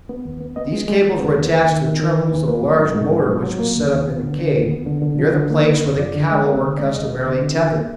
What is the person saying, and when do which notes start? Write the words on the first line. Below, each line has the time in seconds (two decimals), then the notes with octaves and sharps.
These cables were attached to the terminals of a large motor which was set up in the cave near the place where the cattle were customarily tethered.
0.09 B3
0.25 D#2
0.40 B3
0.56 B3 D#5
0.73 G#3
0.88 G#3
1.05 G#3
1.20 D#2 B4
1.36 D#2
1.52 D#2
1.67 D#3
1.84 D#3
2.00 D#3
2.15 D#3
2.31 D#2
2.48 A#3 B4
2.63 F#3
2.80 G#2
2.95 G#2
3.11 F#3
3.27 G#2
3.43 F#3
3.59 A#3
3.74 D#2
3.91 D#2
4.07 B3
4.23 D3
4.38 D3
4.55 D#2
4.71 B3
4.86 D3
5.02 D3
5.19 F3
5.34 D3
5.50 A#3
5.66 D3 B4
5.82 F#2
5.98 F3 D5
6.14 D3
6.30 G#3 D#5
6.45 B3 A#4
6.61 D3
6.78 G#3 D5
6.94 D#2 D#5
7.09 B3
7.25 D3
7.42 D3
7.58 D#3
7.73 A#3